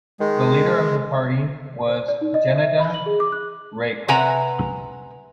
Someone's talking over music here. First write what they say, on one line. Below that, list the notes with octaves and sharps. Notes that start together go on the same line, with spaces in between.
The leader of the party was Gennady Raikov.
D#3 G#3
C5
D5
D#4
D#5
E5
E5
B5
F#7
G#4
D6
F#6
C3 B4 F#5 G#5 A#5